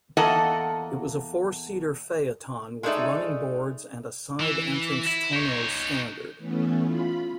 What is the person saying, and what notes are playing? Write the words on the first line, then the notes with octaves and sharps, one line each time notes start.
It was a four-seater phaeton with running boards and a side-entrance tonneau standard.
E2 A#3 A4 D#5 F#5 A5
G#3 A3 D4 D#4 D5 E5
E3
E4
D#4 C#5
E3 A3 B3 C#4
F4 B5